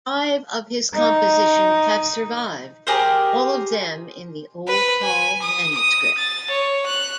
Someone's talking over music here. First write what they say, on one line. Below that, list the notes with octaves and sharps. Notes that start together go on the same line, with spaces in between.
Five of his compositions have survived, all of them in the Old Hall Manuscript.
D#4
G4 G#4 A#4 C5
B4
G#5
D#6
D#6
A6
C#5
F#6